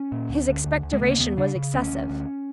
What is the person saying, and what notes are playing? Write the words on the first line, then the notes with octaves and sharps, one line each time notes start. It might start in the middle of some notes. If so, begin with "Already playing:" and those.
His expectoration was excessive.
Already playing: C#4
A#2
D2
D3
D2
D2
G#3
C#3 A3
A#3
D#2 B3
C#3 D4
C#3
D2 C#4
D2
D2